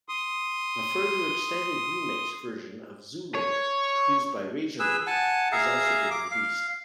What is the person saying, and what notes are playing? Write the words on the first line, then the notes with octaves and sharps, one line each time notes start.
A further extended remix version of "Zoolook", produced by Razormaid!, has also been released.
C6 D#6
C#5
G#4 B4 E6
F#5 G#5 A5
G#4 E5 F5 A#5
D6
F5